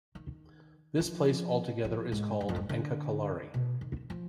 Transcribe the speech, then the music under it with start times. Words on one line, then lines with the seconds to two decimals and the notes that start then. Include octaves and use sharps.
This place altogether is called AnkaKalari.
0.15 D#3
1.00 F3
1.84 F3
2.12 G#2
2.41 G2
2.49 F2
2.56 G2
2.69 D3
3.54 B2
3.81 D#3
4.10 F3